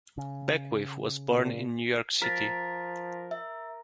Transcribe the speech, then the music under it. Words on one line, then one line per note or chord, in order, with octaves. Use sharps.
Beckwith was born in New York City.
C#3
A#2
F3 A#4 A6 B6
E5